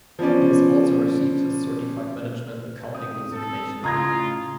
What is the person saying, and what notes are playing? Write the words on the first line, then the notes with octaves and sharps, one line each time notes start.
He has also received his Certified Management Accounting designation.
F3 B3 C#4 D5
C4 D#6
A4
A2 C#3 F4 A#5 D#6 G#6 A#6